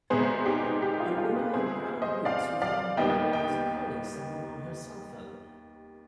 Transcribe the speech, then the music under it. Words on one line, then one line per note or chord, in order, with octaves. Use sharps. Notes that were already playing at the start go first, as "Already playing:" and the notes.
A woman in brown boots with an umbrella is calling someone on her cellphone.
C2 B2 G#3 B3 G#4 C5
D#4 G4
D#4
D#4 G4
F4 G#4
F4 G#4
G4 B4
D2 C3 G3 B3 G#4 C5
C5 D#5
D5 F5
D5 F5
D#2 D#3 G3 B3 D#5 G5
D#5 G5